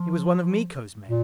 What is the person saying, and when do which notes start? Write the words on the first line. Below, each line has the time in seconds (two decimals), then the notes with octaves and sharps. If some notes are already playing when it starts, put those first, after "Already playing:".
He was one of Miko's men.
Already playing: F3
1.08 A#2